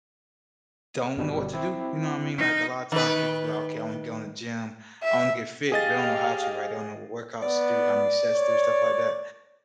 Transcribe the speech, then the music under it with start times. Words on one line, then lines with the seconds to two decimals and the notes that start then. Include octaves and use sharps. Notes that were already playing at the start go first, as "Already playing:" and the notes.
don't know what to do, you know what I mean? Like, a lotta times, people be like, "Okay, I wanna go in the gym. I wanna get fit," but they don't know how to, right? They don't know what workouts to do, how many sets do, stuff like that.
1.17 G1 B2 G3
1.53 C4 E4
2.38 D#4 F6
2.92 D#3 B4
5.03 E5
5.72 G4 G#4 D#5 F5 A6
7.43 B3 D5
8.34 C#5